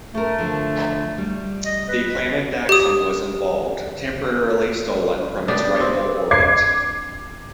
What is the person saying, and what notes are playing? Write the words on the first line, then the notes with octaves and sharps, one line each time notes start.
The planet Daxam was involved, temporarily stolen from its rightful orbit.
A3 A4 A#4
D3 F3
G3
D#5
B4
G4 D#6
B3 D4 G4
C4
D6 G#6 C7